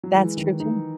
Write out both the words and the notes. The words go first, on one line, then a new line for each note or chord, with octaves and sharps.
That's true too.
F#3
E3 G#3
D#3
D#4